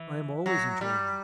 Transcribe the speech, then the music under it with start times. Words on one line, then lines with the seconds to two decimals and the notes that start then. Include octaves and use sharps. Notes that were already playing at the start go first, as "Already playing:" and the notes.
"I am always in training."
Already playing: E3
0.46 F#3
0.81 G3